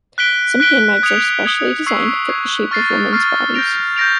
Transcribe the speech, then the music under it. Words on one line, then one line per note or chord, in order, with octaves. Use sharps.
Some handbags are specially designed to fit the shape of women’s bodies.
F#6 B6 D7 G7
F#6 B6 D7 G7
D#6 G#6 C#7 F7
D#6 G#6 C#7 F7
C#6 E6 G#6 C7
C#6 E6 G#6 C7
C#6 F6 A6 C7
C#6 F6 A6 C7
G6 A#6 D7 F7
G6 A#6 D7 F7